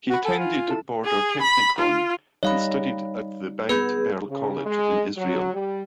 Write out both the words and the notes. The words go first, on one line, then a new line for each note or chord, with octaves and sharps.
He attended Border Technikon and studied at the Beit Berl College in Israel.
F#4 F#5 B5
A4 G#5
F4
E4 A4 A5
G#4
B5
F4
G3 D#4 C#5 D#5 F5 B5
B3 G#4 B4 B5 G6
C#3
G#3
F#3
G3